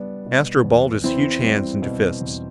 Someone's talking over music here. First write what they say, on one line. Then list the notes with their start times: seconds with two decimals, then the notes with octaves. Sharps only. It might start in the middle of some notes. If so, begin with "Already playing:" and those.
Astro balled his huge hands into fists.
Already playing: G3 B3 D4
0.26 B2
0.64 E2
1.04 E2 C4 E4
1.43 G3
1.82 B2
2.21 E2